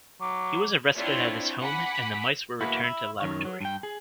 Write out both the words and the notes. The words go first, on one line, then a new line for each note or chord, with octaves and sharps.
He was arrested at his home and the mice were returned to the laboratory.
F#3 D6
C4 D4 E4 F4 C#5
F#5 G#5 B5 D6 B6
A#3 E4 F#4 B4
E4
F#2 D#3 C#5
F#3
G2 G5
G#4